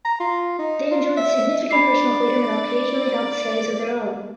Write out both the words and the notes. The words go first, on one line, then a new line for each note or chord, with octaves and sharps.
They enjoyed significant personal freedom and occasionally held slaves of their own.
A#5
F4
D#4
F4
E5
D4 D5 B5 C7